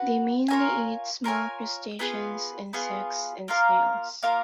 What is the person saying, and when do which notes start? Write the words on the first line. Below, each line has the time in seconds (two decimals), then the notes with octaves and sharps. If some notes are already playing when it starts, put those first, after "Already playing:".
They mainly eat small crustaceans, insects, and snails.
Already playing: F#4 B4 F#5
0.48 F4 A#4 C#5 G#5
1.24 F4 A#4 C#5 G#5
1.99 B3 F4 G#4 B4
2.73 B3 F4 G#4 B4
3.48 A#3 F4 A#4 F5
4.23 A#3 F4 A#4 F5